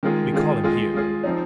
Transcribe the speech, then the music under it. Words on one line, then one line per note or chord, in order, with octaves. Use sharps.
We call heem here.
D#3 G#3 F4 G#4
D#3 G#3 F4 G#4
G#3 F4 G#4
G#3 F4 G#4
F3 C4 D#4